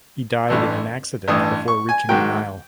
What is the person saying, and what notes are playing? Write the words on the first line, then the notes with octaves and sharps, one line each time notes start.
He died in an accident before reaching the Nile.
A1 G2 E3 A3
A1 G2 E3 A3 D#6
C#6
G#5
G#2 D#3 F#3 G5